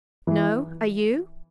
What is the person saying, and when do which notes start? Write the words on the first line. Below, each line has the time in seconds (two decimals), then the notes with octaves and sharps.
"No; are you?"
0.27 E3